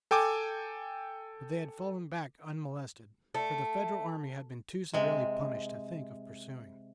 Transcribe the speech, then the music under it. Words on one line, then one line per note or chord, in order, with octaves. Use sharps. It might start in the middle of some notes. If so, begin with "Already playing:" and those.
But they had fallen back unmolested, for the Federal army had been too severely punished to think of pursuing.
A4 G5 G#5 D6
A3
C3 G#3